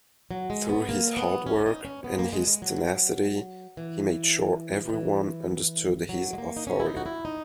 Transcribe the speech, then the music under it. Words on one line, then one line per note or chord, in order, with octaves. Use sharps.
Through his hard work, and his tenacity, he made sure everyone understood his authority.
F#3
G#3
B3
A#3
B3
C#4
D#4
C#4
B3
A#3
G#3
G#3
F#3
E3
D#3
E3
F#3
G#3
A#3
D#4
C#4
E4
D#4
F#4
E4
D#4